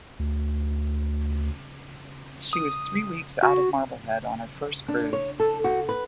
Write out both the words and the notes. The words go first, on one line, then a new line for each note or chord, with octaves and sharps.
She was three weeks out of Marblehead on her first cruise.
D2
D#6
F#4
D4
C#5
A4
F#4
B4